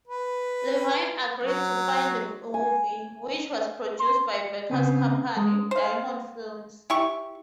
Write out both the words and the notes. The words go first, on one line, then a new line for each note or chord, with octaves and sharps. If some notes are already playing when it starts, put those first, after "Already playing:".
Levine agreed to fund the movie, which was produced by Baker's company, Diamond Films.
B4
F#3
G#5
C6
C#3 B3 C4
G#3
C5 F5
E4 G4 C#6